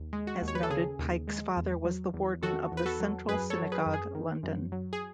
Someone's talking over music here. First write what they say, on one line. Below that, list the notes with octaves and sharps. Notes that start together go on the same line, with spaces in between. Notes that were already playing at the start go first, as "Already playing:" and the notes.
As noted, Pyke's father was the warden of the Central Synagogue, London.
Already playing: D#2
G#3
F#4
D#2
C#5
B4
A4
C#3 G#4
D#2
G#3
E2
F#3
E2
D#3 F#4 A4
E2
B4
F#4 A4
F#3
F#2 G#4 B4
A4 C#5
F#3
G#4 B4
F#2
G#4
D#3
F#2
F#3
G#4